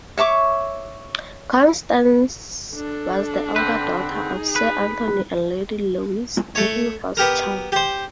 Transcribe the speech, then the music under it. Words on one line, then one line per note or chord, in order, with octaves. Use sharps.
Constance was the elder daughter of Sir Anthony and Lady Louise de Rothschild.
C#5 E5 C#6 D6
D4 A4
D3 C4 B4
D#4 G#4
B4
A3 C#5
B3 G4 A#4
G4 C5